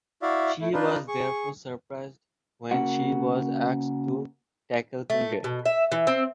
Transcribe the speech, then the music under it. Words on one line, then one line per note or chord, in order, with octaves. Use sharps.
She was therefore surprised when she was asked to tackle Kundry.
E4 F#4 D5 E5 F5
A3 E4
D4 D#4 F4 B4
G#4 C#6
C#3 A#3 F#4 F#5
A3
B2
E5
E3
C4